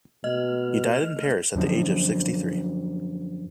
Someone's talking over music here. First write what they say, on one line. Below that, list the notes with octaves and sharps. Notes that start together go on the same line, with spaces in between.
He died in Paris at the age of sixty three.
B2 A3 D#5 F6
F#2 D3 F3